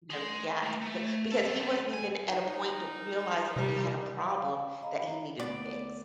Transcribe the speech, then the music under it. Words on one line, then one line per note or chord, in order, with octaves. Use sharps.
You gots to go, because he wasn't even at a point t realizing that he had a problem that he needed to fix.
G#4 C6
A3 A#3
A3
B3 A4
G#5
D#4 A#4
C3 G3
F5
D#5 F5 A#5 B5
D2 B3 D5